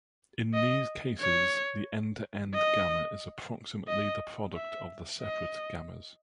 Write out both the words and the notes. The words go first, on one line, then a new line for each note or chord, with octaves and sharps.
In these cases the end-to-end gamma is approximately the product of the separate gammas.
D#5
C#5
D#5
D#5
E5
D#5